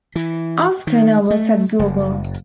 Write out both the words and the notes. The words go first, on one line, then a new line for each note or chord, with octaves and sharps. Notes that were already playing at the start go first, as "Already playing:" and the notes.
Oskar now works at Google.
E3
D#3
A3
F#1